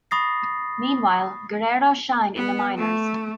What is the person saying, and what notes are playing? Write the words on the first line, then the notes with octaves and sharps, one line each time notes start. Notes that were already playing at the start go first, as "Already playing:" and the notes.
Meanwhile, Guerrero shined in the minors.
B5 C#6 D#6 A6 A#6 C7
B3
A3